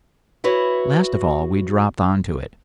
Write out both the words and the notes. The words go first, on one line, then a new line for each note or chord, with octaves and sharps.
Last of all we dropped on to it.
E4 F#4 B4 C#5